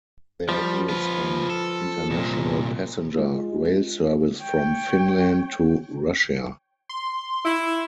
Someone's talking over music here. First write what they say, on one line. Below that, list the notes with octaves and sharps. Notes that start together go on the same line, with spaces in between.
There is an international passenger rail service from Finland to Russia.
F3 G3
F4 B4
A4
C2 A#2
G#3 F4
C#5 G5
C6
E4